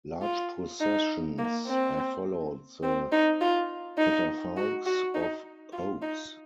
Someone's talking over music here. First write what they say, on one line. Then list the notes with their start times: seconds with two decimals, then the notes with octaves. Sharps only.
Large processions have followed the catafalques of Popes.
0.22 F4
0.81 D#4
1.39 A#3
1.67 C4
2.83 C4
3.12 D#4
3.41 F4
3.99 D#4
4.57 F#4
4.86 F#4
5.15 D#4
5.73 F4
6.02 D#4